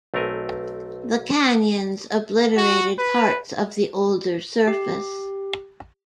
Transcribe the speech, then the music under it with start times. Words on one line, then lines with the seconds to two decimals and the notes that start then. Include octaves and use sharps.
The canyons obliterated parts of the older surface.
0.14 B1 A3 C4 A#4 G5 G#5
2.57 F#4
2.99 B4
4.68 G4